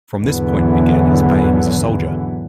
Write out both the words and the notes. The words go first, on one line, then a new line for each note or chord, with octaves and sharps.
From this point began his fame as a soldier.
G#1 E2 D3 E3 F#3 B3